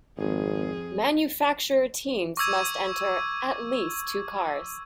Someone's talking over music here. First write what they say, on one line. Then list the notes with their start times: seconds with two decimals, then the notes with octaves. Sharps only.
Manufacturer Teams must enter "at least" two cars.
0.18 G#1 F2 G#4
2.37 C#6 D6 E6 G#6 D#7